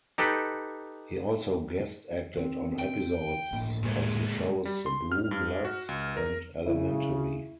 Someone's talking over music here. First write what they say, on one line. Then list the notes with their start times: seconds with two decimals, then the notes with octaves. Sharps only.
He also guest acted on episodes of the shows "Blue Bloods" and "Elementary".
0.18 D#4 G4 A4 B4
2.37 C4
2.79 G5
3.52 A2 A#3 D4
3.83 A#2 G#3
4.65 G3
4.86 C6
5.12 F6
5.31 G2
5.65 F#4
5.89 C#2
6.17 A#4
6.66 C#3 E4